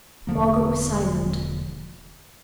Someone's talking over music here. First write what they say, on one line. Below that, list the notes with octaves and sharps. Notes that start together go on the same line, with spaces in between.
Margaret was silent.
E1 D3 F3 A#3